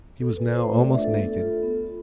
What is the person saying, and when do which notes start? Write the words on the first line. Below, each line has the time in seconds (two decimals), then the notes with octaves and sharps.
He was now almost naked.
0.20 B3 A4
0.36 B4
0.45 F4
0.52 C5
0.68 A3
0.80 D5
0.92 D4 F4 E5
1.04 A4
1.15 B3 A4
1.40 F4
1.63 B3
1.87 F4